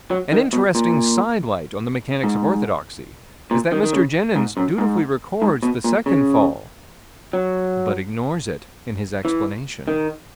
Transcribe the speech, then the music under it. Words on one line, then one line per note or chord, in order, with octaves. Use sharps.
An interesting sidelight on the mechanics of orthodoxy is that Mr. Jenyns dutifully records the second fall, but ignores it in his explanation.
F#3
D#3
B2
A#2
G#2
A#2
D#3
D#3
C#3
G#2
F#2
G#2
G#2
B2
A#2
C#3
F#3
E3
D#3